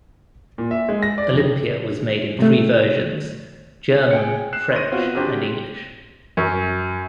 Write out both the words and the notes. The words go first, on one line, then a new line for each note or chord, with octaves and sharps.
"Olympia" was made in three versions: German, French and English.
A#2
E5
G#3
A#6
D5
F2
C3 A3
G#4 G5 C#7
F#6 C7 E7
C5 C#5 A#6 D#7
B3 C4 F4 F#4
C#3 F#3 C4 D4 G4 C5
F#2